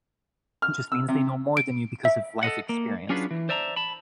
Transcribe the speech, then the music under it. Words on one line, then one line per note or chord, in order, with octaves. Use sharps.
just means they know more than you because of life experience,
F6
E6
C3
D7
E5
A4 B4 D#5 F#5
A#3
F#3 C#4 D4 F4 G#4 B4
E3
C5 D5 E5 A5 A#5
A5 B5